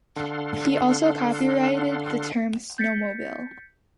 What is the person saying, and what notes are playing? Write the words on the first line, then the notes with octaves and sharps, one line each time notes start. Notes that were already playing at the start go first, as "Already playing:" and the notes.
He also copyrighted the term "snowmobile".
D3 D4 A4 F5 F#5 C6
G6 A6 B6 C#7